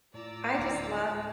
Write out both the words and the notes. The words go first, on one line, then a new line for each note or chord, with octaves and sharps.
I just love
A2 F4 D5 A#5 E6
D1